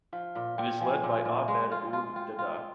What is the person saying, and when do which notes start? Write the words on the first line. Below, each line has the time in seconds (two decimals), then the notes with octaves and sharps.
It is led by Ahmed Ould Daddah.
0.13 F3 F5
0.35 A#2 F5
0.58 A#2 G5
0.81 F3 G#5
1.03 A#2
1.25 A#2
1.48 G#3 F5
1.71 F4
1.82 D#5
1.93 F4
2.16 F4 G5
2.39 F4